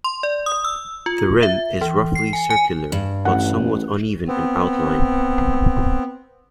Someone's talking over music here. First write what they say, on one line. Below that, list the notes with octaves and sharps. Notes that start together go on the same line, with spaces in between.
The rim is roughly circular but somewhat uneven in outline.
C6
D5
D#6
E6
F4
E5
E3
C7
G#5
G#5
G2
A1 F#5
B3 C4